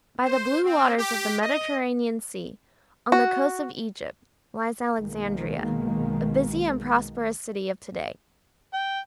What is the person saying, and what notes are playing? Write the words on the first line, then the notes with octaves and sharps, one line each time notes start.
By the blue waters of the Mediterranean Sea, on the coast of Egypt, lies Alexandria, a busy and prosperous city of to-day.
C5
C4
G4
D#5
F#4
B1 B2 D#3 G#3 A#3
G5